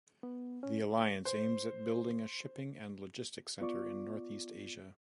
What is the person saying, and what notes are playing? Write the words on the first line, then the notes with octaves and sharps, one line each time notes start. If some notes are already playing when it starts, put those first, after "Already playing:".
The alliance aims at building a shipping and logistics center in Northeast Asia.
B3
C#4
C5
B3 F4 D5 C#6 D6